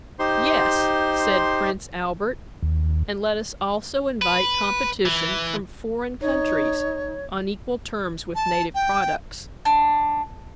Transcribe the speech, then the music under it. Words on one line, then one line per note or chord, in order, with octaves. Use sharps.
Yes, said Prince Albert, and let us also invite competition from foreign countries on equal terms with native products.
D#4 G4 C5 C6
D#2
B4
E3
D#4 C#5
A5
G5
D4